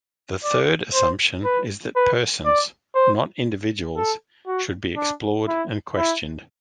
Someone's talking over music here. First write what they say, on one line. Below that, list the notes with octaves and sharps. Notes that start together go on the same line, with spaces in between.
The third assumption is that persons, not individuals, should be explored and questioned.
D5
C5
B4
B4
D5
C5
A4
F#4
D4
E4
E4